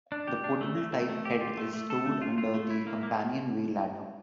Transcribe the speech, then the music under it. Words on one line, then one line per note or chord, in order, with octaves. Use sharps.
The portable type head is stowed under the companionway ladder.
D4
G4
D4
A3
A3
A3
A3
G4
F4
A3
A3
A4
A3
F4
F4
A3
E4
A#3
A#3